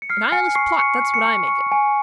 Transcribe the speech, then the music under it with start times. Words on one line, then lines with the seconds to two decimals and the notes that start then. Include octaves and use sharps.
A Nihilist plot--that's what I make it.
0.02 C#7
0.10 F6 C7
0.32 G#5 C#7
0.55 C#6 C7
0.79 C#6 C#7
1.02 C#6
1.14 C#7
1.26 C#6
1.48 C#6
1.72 G#5